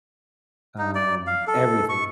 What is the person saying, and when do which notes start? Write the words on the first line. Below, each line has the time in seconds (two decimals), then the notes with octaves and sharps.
um, everything.
0.78 D#4
0.95 D5
1.27 F5
1.47 A4
1.89 C#6